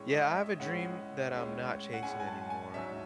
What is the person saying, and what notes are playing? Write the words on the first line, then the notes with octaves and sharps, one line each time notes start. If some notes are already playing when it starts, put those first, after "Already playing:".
Yeah. I have a dream that I'm not chasing anymore.
Already playing: A2 G#3 C#4 C#5
D#5
E5
A2 G#3 C#4 F#5
A2 G#3 C#4
F#5
A2 G#3 C#4 G#5
G#5
A5
G#5
G#2 F#3 C#4 E5